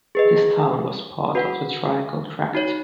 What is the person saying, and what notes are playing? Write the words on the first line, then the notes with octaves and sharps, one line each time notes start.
This town was part of The Triangle Tract.
G#4 B4 D#5
F#4 B4 F#5
D#4 F#4 C#5